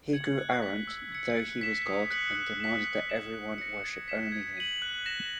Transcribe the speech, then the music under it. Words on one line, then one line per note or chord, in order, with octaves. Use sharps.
He grew arrogant, thought he was God, and demanded that everyone worship only him.
G#6 C#7 F#7
F#6
B6 F#7
E6
G#6 C#7
F#6
B6 E7
D#6
F#6 C#7 F#7
F#6
B6 E7
F#6
B6 E7
F#6
A#6 C#7
G#6
B6 E7
G#6
D#7 F#7
F#6
A#6 E7